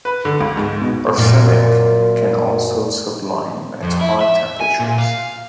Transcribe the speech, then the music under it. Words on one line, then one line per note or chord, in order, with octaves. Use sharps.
Arsenic can also sublime at high temperatures.
B4
D3
C#2
G#2
B2
F#2 A#2
F2
E4
E5
G#5
A#2
F5